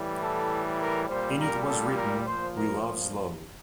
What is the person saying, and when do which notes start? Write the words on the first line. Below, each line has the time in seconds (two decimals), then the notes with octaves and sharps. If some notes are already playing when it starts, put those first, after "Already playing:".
In it was written: "We love Slough".
Already playing: A2 E3 G3
0.21 A4
0.80 A#4
1.08 A#2 G3 C5
1.38 A#4
1.67 A4
1.96 A#4
2.26 A#2 F3 C5
2.55 A#4